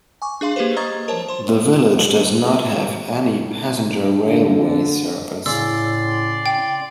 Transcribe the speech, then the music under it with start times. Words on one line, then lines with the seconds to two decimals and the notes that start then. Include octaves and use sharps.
The village does not have any passenger railway service.
0.22 G#5 C#6 D6
0.41 D4 G#4 F5 C6
0.56 A#3 G4 G#4 B4 C5
0.76 D#5 A#5 C#6 D#6 G#6 A6
1.08 A#4 C5 C#5 A5
1.28 C5 C6
4.27 D3
5.46 A2 C#3 D5 C6 E6
6.46 G5